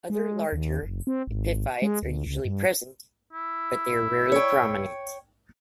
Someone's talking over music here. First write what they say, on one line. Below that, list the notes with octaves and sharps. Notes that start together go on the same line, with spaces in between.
Other larger epiphytes are usually present, but they are rarely prominent.
G#3
D#2
F#1
C4
G#1
G#3
D2
C#2
G2
E4
C#5 G5